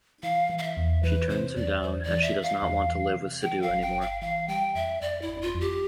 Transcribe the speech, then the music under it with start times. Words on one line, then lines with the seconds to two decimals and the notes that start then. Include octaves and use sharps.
She turns him down as she does not want to live with Siddhu anymore.
0.23 E3 F5
0.50 E3
0.58 F5
0.63 E5
0.77 E2
1.03 E3 B4
1.29 C3 C5
1.56 E2 D5
1.82 E2 C5
2.03 D5
2.09 E3
2.22 E5
2.36 E3
2.42 F5
2.62 E2
2.88 E3
3.15 C3
3.42 E3 G5
3.62 F5
3.69 G1
3.81 G5
3.95 G1
4.01 F5
4.21 E3 F5
4.48 G3 G5
4.75 F2 E5
5.01 F2 D5
5.22 E4
5.28 G1
5.42 F4
5.55 F2
5.60 G4